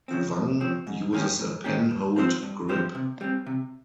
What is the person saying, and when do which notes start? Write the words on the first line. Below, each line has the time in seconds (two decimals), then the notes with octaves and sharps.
Wang uses a penhold grip.
0.08 C#3 F3 C4
0.35 F2
0.60 C#3 F3 C4
0.87 G#2
1.13 D#3 A#3 C#4 G4
1.39 G#2
1.64 D#3 A#3 C#4 G4
1.91 G2
2.16 F3 C4 G4 C5
2.43 G2
2.69 F3 C4 G4 C5
2.95 C3
3.21 G3 C4
3.46 C3